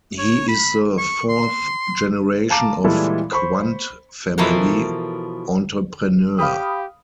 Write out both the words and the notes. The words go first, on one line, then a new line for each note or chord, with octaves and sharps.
He is the fourth generation of Quandt family entrepreneurs.
C#5
B5
C#6
C6
F5 A5 A#5 D6
A#2 E3 G3 G#3 E4 A4
C5 B5 C#6
B2 E3 F3 A4 A#4
G4 F5 B5 D#6